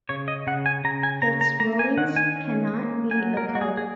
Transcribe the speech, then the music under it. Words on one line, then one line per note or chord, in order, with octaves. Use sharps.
Its rulings cannot be appealed.
C#3 C#5
D#5
C#3 F#5
G#5
C#3 A#5
G#5
C#3 A#5
A#5
A#3 A#5
G#5
D#3 F#5
G#5
C#4
A#3
F#3 G#5
A#4
A#3
F#4
G#4
G#4